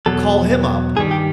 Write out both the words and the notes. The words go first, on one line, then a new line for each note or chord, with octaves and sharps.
Call him up
E2 B2 F#3 A4
G2 D#3 G3 G#4
G4